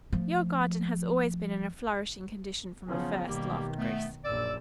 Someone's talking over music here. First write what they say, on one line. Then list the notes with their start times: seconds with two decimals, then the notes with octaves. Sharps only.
"Your garden has always been in a flourishing condition from the first," laughed Grace.
0.12 F3 A3
2.88 C#3 F3 F#3 B3 C#4
3.27 B1 D#3 G3 A#3 G4
3.78 A3 B3
4.25 A#1 F#2 D5 E6